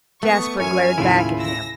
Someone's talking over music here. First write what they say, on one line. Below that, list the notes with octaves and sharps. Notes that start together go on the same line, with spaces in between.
Jasper glared back at him.
A3 B3 C#6 D#6
F#2 C#5 G#5 F6
D#2 A2 C#3 E4 F4
E6 A#6